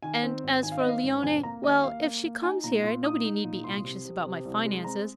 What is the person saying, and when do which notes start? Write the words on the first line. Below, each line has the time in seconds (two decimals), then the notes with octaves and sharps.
And as for Leonie--well, if she comes here, nobody need be anxious about my finances.
0.03 D#3 G#5
0.23 C4
0.43 G#1
0.63 D#3 G#5
0.72 F5
0.80 C4 D#5
0.89 F5
1.04 G#2
1.23 F1 G#5
1.43 A#3 A#5
1.64 D#2 D#5
1.84 A#3 F5
2.03 A#3
2.24 A#3
2.43 D#4 G#5
2.64 A#2 A#5
2.84 A#2 C6
3.04 D#4 D#6
3.25 D#4
3.44 A#2
3.64 C2 C6
3.84 C3
4.05 C3
4.25 C3
4.45 C2
4.65 G#3
4.84 C4 A#5